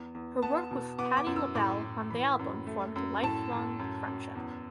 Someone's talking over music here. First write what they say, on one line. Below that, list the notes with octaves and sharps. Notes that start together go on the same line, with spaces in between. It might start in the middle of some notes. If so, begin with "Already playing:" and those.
Her work with Patti LaBelle on the album formed a lifelong friendship.
Already playing: E2
E2
B3 A5
B2
B3 D6
D6
F#2
E6
A2 D6
A2
E3 B5
F#2
A3
F#2
A2 A5
A2
F#2
F#2
E2